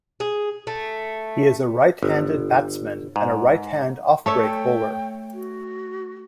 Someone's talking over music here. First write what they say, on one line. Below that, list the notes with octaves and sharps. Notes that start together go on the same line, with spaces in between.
He is a right-handed batsman and a right-hand off-break bowler.
G#4
A3
G1
G#2
A3 A4 C#5 E5
G5
F#4